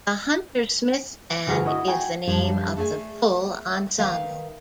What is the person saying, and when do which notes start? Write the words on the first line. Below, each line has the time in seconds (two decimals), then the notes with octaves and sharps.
"The Hunter Smith Band" is the name of the full ensemble.
1.47 D2 G2 A3 F#4 G#4 F6
1.65 E4 F#4 D#5 D#6
1.87 F#4 G5 G#5
2.27 F#2 F3 G3 D4 C#5
2.77 A3 G#4 D5 G#5
3.98 D#3 B4 E5 F5 G5